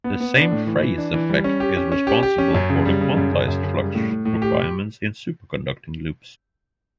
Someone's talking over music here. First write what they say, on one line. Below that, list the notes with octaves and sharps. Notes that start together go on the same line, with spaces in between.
The same phase effect is responsible for the quantized-flux requirement in superconducting loops.
B3
B3
D4
A2
E3
E3
D4
E3
G3
C#4
G4
C#4
C#4
G4
G4
C#4
F#2
C#3
G3
C#3
F#2
C#3
F#2
C#3
G3
A2
A2
A2
G4